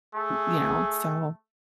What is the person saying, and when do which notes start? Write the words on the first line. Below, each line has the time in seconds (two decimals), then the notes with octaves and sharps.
you know? So,
0.15 A3 G#4